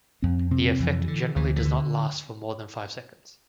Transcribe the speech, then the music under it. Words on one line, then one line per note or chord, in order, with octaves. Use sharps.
The effect generally does not last for more than five seconds.
F2 C4
C3 C4
F2 E3
D3
D2 E3
E3
D3